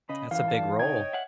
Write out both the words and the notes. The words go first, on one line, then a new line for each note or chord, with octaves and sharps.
That's a big role.
C#3 D#5 B5
F#2 E3 F5
D2 G2 A5
C3 D#4 C#5 D#5 G5 G#6
E5 F#5